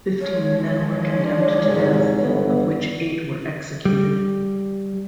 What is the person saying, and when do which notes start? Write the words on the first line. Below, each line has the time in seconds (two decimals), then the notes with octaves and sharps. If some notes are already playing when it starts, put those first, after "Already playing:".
Fifteen men were condemned to death of which eight were executed.
0.21 D#3 F3 G#3 C#5
1.23 D4
1.67 C2 G#2
2.22 G1 B3
3.85 G3